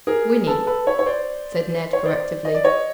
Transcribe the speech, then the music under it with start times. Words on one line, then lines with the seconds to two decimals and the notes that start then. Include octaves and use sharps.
"Whinny," said Ned correctively.
0.07 G#4 A#4
0.47 A4 B4
0.66 A4 B4
0.87 B4 C#5
0.99 C#5
1.06 C5 D5
1.93 C#5
2.05 C5 D5
2.45 D#5
2.54 D5
2.64 C#5 D#5